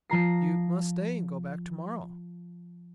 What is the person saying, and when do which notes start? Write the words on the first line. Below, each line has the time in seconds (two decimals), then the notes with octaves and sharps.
You must stay and go back to-morrow.
0.10 F3 A#5 C7